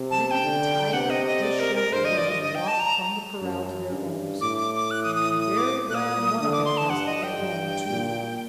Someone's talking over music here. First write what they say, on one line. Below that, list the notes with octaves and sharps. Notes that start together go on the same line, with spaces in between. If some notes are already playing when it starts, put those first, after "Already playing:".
Three tired, disheveled women walked from the corral to their homes; and very glad one of them was to get home, too!
Already playing: C3
A5
A5
G5
D3
C3 F#5
D#5
D#5
D5
A#4
A#4
G2 C5
D#5
D5
D#5
D#5
G5
A5
A#5
F#2
G2
A2 D6
D6
D6
F#6
D#6
D#6
D#6
D6
A#2 D#6 F#6
D3 D#6
D6
C6
A5
G2 F#5
D#5
G5
G2
A#2